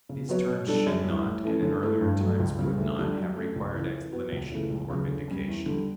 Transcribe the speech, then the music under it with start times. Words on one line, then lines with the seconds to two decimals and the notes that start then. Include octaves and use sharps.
These terms should not, and in earlier times would not, have required explanation or vindication.
0.09 C#3
0.29 F#3 B3 F#4 C#5
0.47 B2
0.67 G3 D4 A4
0.86 F#2
1.05 E3 G3
1.24 A2
1.44 E3 A3 C#4
1.62 D3
1.83 A3 E4
2.01 G2
2.20 F#3 A3
2.40 C#2
2.59 C#3 G3
2.78 D2
2.97 D3 G3 D4 G4
3.17 F#3
3.36 A3 C#4
3.56 C#2
3.74 C#3 E3
3.94 E3
4.12 B3 F#4
4.32 C#2
4.52 C#3 E3 A3
4.70 C#2
4.90 C#3 F#3
5.08 D3
5.28 G3 C#4
5.48 E2
5.66 D3 G3